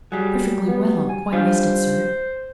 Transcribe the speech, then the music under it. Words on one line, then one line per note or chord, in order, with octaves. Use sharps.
"Perfectly well; quite rested, sir."
F#3 G3 G#4
B3
G#5
G3 D4 F4 C5